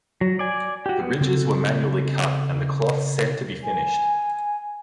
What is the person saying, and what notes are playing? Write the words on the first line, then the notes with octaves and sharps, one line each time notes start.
The ridges were manually cut, and the cloth sent to be finished.
F#3
D5 G#5
F#4 G4
B3
C#3 C4 A4
G#5